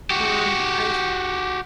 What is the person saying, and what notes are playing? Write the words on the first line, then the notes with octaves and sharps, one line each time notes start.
Um, I
F#4 G4